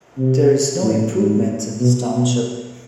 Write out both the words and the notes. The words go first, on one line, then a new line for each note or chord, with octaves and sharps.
There is no improvements in this Township.
C3
A2
G#2
B2
B2